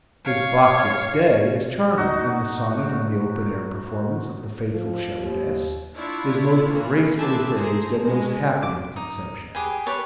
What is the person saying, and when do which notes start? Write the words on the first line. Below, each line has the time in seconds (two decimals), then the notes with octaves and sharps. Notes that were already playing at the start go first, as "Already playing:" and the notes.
A Bacchic Day is charming, and the sonnet on the open-air performance of The Faithfull Shepherdesse is most gracefully phrased and most happy in conception.
0.25 C#5 F5
1.97 D#4 F#4
4.73 F3
5.15 D#2
5.96 D4 E4 F4 C#5
6.69 E3 A#3
7.17 C4 G4 G#4 B4 E5 A5
7.54 A3 G#4 A4 C5 A#5
8.03 G#3 C#4 D#5
8.63 D6
8.96 D#4
9.55 G4 G#4 B4 G#5
9.86 G4 B4 C#5 A5